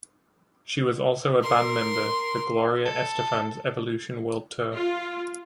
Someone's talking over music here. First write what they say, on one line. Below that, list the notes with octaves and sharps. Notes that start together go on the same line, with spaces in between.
She was also a band member for Gloria Estefan's Evolution World Tour.
A#4 C6
A4
F4